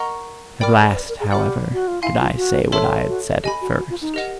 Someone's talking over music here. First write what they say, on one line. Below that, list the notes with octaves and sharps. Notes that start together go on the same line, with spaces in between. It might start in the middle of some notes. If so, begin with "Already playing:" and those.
At last, however, did I say what I had said at first.
Already playing: A#4 D#5 F#5 A#5 C#6
A#4 D5 G5 B5 D6 F6
A4
C5
B4
A#4
G#4
G4 D5 F#5 B5 D6 F6
F#4
F4
E4 F5 G#5 C6
F4
F#4
A4 C#5 E5 A5 C6
F#4
G4 D#5 G#5 B5
F#4
F#4
F4
D#4
G4 A#4 D#5 F#5